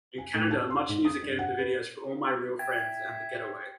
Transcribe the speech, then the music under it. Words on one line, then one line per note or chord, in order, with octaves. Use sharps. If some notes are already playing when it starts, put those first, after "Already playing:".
In Canada MuchMusic aired the videos for "All My Real Friends" and "The Getaway".
G#5
A2
A5
C6
G#2
D#6
G2
F#5
B4
E5 G5 G#6 A6